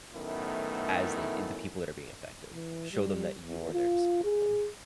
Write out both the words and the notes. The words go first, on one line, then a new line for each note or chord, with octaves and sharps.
as they i the people that are being affected. Show them that you are there to support them.
F#2 A2 D#3 A3 B3 E4
E3
G3
E2
F4
G#4